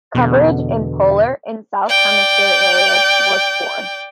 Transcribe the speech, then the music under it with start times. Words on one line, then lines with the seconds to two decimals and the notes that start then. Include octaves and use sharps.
Coverage in polar and south-hemisphere areas was poor.
0.15 E2 B2 D3
1.89 D5 G5